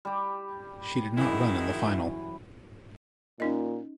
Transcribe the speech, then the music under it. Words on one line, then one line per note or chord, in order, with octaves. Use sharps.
She did not run in the final.
G3 G4
F#2 D#3 E3 G#3 E4
A#2 C#4 D#4 D#5